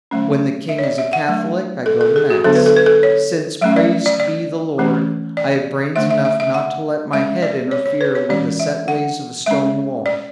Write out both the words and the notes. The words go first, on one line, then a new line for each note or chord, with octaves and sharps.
When the king is a Catholic I go to Mass; since, praised be the Lord, I have brains enough not to let my head interfere with the set ways of a stone wall.
D3 F#3 A3 C#4
E5
C#5
D5
E5
F#5
F#3 A3 D4
A4
A4
G#4
F#4
D3 F#3 B3 D4 A4
B4
A4
B4
A4
C#5
F#3 A3 C#4 E5
D5
D5
D5
E3 A3 C#4
D5
D3 A3 D4 E5
E5
E5
E5
F#5
G#3 C#4 E5
D5
C#5
C#5
B4
C#5
E3 G#3 C#4 D5
E5
F#5
G#3 C#4 E5
D5